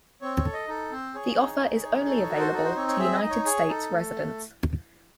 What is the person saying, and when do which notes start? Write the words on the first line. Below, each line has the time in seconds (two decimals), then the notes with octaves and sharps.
The offer is only available to United States residents.
0.22 C4 C#5
0.38 C#5
0.45 A4
0.53 D#5
0.68 D#4 A4
0.92 C4 C5
1.14 G#4 C#5
1.38 D#4
1.61 G#4
1.83 D#4
2.06 A4 C#5
2.22 C#5
2.29 F#4
2.38 C5
2.52 D#4 A4
2.64 C5
2.76 C4 C#5
2.88 C#5
2.99 G#4 E5
3.15 D#5
3.22 D#4
3.30 C#5
3.45 G#4 C#5
3.69 D#4 A4
3.91 A3